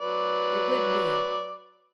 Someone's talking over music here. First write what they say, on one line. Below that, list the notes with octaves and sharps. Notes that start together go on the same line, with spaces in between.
They would me.
F#3 B4 D5